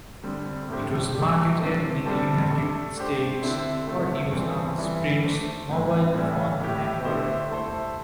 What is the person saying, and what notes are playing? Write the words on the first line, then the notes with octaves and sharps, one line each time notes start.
It was marketed in the United States for use on Sprint's mobile phone network.
D3 G3 C4
A2 A3 D4 G4 C5
A3 D4 G4
C3 A3 D4 A4 C5
C3 G3 D4 A4 C5
A3 D4 A4
A3 D4 G4 C5
D3 C4 E4 C5
C3 A3 E4
E3 G3 C4 A4 C5
E3 G3 E4
A3 D4 C5
A2 E3 C4
A2 E3 G3 E4 A4
A2 A3 E4 G4
D3 A3 E4 G4 C5
A3 E4 A4 C5